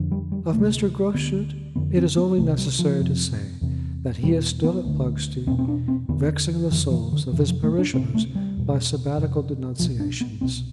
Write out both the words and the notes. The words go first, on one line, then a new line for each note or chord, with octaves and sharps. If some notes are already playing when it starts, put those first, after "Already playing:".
Of Mr. Groschut it is only necessary to say that he is still at Pugsty, vexing the souls of his parishioners by Sabbatical denunciations.
Already playing: F2 D3
G3
G3
D2 C3 A3
D2 D3 B3
F2 D3 B3
C4
B3
C2 C3 A3
G3
F3
F2 C3
E2 C3
E2 B2 G3
B3
D2 D3
E2 B2 C4
C4
D4
C4
E2 D3 B3
F2 D3 E3
E3
D3
F2 C3 E3
F3
A3
D4
D2 C3 C4
A3
G3
E2 B2
F2 C3
C2 B2 F3
D4
B3
C2 B2 C4